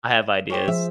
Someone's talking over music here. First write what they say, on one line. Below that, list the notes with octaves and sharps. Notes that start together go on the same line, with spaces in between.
I have ideas.
C#4 G4 C5
F3 G#4 C5 E5